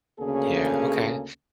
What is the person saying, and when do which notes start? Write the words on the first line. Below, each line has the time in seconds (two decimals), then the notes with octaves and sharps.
Yeah, okay.
0.20 D2 C#3 A#3 C#4 G#4 A4